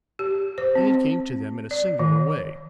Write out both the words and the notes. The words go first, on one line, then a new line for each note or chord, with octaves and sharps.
Aid came to them in a singular way.
G4
C5
C4
D5
D#3